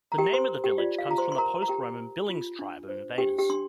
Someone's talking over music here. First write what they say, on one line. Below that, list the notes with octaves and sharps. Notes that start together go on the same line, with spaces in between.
The name of the village comes from the post-Roman Billings tribe of invaders.
A#5
G4 A#4 G5
C5 C6
A#4
G4 G5
F4 D5
F5
F4 A#5
C5 C6
C6
A#4 A#5
A#5
G4 A#4 G5
A#4
F4
D4
C5
D4 G4 G5
G4 G5
D4 C6